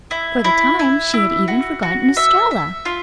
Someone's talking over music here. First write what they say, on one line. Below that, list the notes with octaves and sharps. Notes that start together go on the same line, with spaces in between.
For the time she had even forgotten Estralla.
E4
E4
E4
E4
F#4
F#4
E5
E5
F4